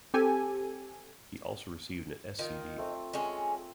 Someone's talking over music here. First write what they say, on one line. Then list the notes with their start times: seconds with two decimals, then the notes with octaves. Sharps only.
He also received a Sc.D.
0.14 C4 G4 A4 G#5
2.39 D#3 F4
2.78 A3 C4
3.13 G#3 C#4